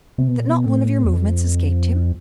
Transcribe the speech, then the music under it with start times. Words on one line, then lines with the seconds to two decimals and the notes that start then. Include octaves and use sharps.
"That not one of your movements escaped him?"
0.18 C3
0.28 B2
0.38 A#2
0.48 B2
0.66 A2
1.05 E2
1.13 F2